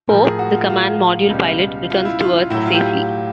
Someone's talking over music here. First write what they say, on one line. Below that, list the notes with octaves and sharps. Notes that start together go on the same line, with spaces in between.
Pope, the command module pilot, returns to Earth safely.
A2 F3 A#4
G#4
F#4
F4
F4
C#2 B2 G3
F4
E4
F4
A2 F#3 E4
F4
G4